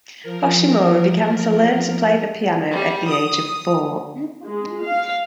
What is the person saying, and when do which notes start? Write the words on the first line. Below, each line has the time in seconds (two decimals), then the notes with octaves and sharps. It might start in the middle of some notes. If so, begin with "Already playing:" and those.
Hoshimura began to learn to play the piano at the age of four.
0.23 F3 A#4
2.72 G3
3.08 D#6
4.43 G#3
4.83 F5